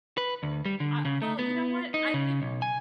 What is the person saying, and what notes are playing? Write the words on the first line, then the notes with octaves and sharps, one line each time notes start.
Ah, well, you know what? I think
B4
D2
G3
D3
C#3
A3
B3
D#4
C#3
B1
G#5